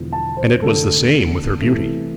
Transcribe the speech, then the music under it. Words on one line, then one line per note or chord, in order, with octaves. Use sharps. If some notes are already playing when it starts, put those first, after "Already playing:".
And it was the same with her beauty.
Already playing: E1 E2 D3 F3
A5
C5
F1 E2 D3 A4
C2 C3 E3 A3